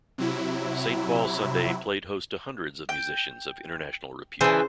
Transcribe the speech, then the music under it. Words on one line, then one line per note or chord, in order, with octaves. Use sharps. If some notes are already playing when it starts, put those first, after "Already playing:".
"Saint Paul Sunday" played host to hundreds of musicians of international repute.
C3 F#3 E4
G5
C#3 E3 D4 G#4 C5